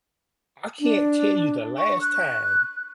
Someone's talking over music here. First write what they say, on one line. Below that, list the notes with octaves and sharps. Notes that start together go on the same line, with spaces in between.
I can't tell you the last time
D4
C#6
F#6